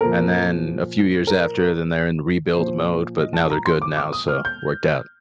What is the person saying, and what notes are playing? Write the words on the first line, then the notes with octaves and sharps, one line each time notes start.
And then a few years after, then they're in rebuild mode, but now they're good now, so worked out.
A#2 F3 A#4
A#4
A#2 F3 C5
D#5
A5
A#5
C6
D6
D6
D#6
F6
G6